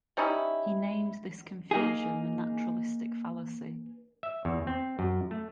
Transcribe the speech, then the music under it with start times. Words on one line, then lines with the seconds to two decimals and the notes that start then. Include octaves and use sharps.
He named this confusion the naturalistic fallacy.
0.17 G3 C#4 D#4 E4
1.71 A#3 D#4 G#4
4.23 E5
4.45 E2
4.67 C4
4.99 F#2
5.31 A3